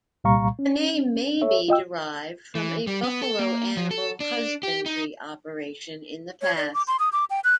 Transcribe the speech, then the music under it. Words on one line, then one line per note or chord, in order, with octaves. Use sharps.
The name may be derived from a buffalo animal husbandry operation in the past.
C2 A#2 G3 F5 A#5 C#6
C#4
A4 C#5 E5
F4 D#5 G5 E6
E3
G3
B3
A4
A#3
F3
A4
D4
G4
D#4
C#5
D5
D6
C6
D#6
D6
G5
F#6